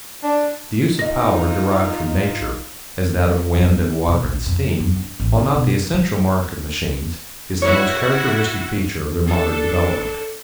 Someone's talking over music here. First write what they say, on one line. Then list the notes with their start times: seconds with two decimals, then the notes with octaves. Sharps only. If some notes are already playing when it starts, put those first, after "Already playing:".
The use of power derived from nature, as that of wind and water and steam, while not the essential mark of machines, is the most characteristic feature of their modern development.
0.23 D4
0.99 D#4 F4 D#5 A#6
3.62 E2
3.78 E2
4.08 B2
4.23 A#1
4.46 F2
4.80 F#2
4.96 D3
5.20 A1
5.38 D#3
5.55 B2
5.70 F#2
5.94 G3
7.62 E4 F#4 C#5
9.26 D4 A4